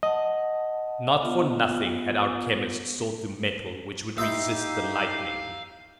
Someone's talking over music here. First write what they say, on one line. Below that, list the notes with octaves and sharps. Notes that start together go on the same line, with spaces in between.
Not for nothing had our chemists sought the metal which would resist the lightning.
D#5 F#5 A5
B3 F4
D#4 E4 G4 C5 D#5 F5 E6